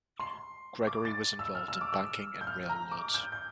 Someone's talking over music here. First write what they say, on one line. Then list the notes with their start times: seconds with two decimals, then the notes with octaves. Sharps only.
Gregory was involved in banking and railroads.
0.19 C6
0.87 D6
1.05 A6
1.39 E6
1.55 F6
1.68 E6
1.81 D6
1.93 E6
2.41 G6
2.47 F6
2.69 A#5
2.92 D6
3.14 G6
3.32 G6